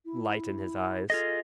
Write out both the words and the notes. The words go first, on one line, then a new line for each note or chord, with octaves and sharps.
Light in his eyes.
E4
F4 G#4 A4 D#5